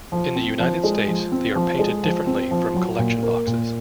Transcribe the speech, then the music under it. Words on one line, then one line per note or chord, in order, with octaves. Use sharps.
In the United States, they are painted differently from collection boxes.
F3
C4
F3
G#3
F3
C4
F3
G#3
F3
C4
F3
F#3
A#2
A#3
A#2